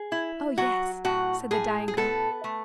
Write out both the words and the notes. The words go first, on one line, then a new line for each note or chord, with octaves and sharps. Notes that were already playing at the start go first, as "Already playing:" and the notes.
"Oh, yes," said the dying girl.
Already playing: G#4
E4
F#3 F#4
A2 F#4
A2 G#4
G#4
B3 A4
A3